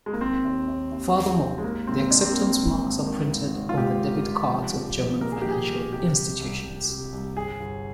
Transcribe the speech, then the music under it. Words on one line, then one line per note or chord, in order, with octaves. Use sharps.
Furthermore, the acceptance marks are printed on the debit cards of German financial institutions.
G#3
A#3
D#3 C4
D#2
D#2
D#2
D#2
D#2
G#3
G#2 A#3
G#1 C4
G#1 D4
C4
G#1 A#3
C4
G#1
G#1
D#3
G#1
G#1
F4
G#2 G4
D#3
G#1
F3
A#1
A#1
A#2 A#4
G#4
A#1 G4
G#4
A#1
C3 G4
C2
C2
C2
C3
C2
G1 G#4
G1